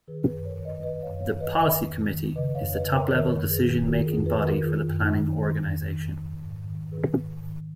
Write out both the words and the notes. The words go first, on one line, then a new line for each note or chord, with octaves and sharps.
The "policy committee" is the top-level decision-making body for the planning organization.
D#3 G#4 B4
G#4 B4
F#2
A#4 C#5
D#3
B4 D#5
D#3 B4 D#5
C#5 F5
F#2
C#5 F5
D#3
B4 D#5
D#3 B4 D#5
F2
D#3
C#3 B4 D#5
C#5 F5
F2
B4 D#5
C#3
A#4 C#5
D#3 A#4 C#5
F#2
G#4 B4
D#3
D#3 F#4 A#4
F4 G#4
F2
G#4 B4
D#3
F#4 A#4
D#3 F4 G#4
F#2
D#4
D#3
D#3
F2
D#3
D#3
G#2
D#3
D#3 G#4 B4
G#2
D#3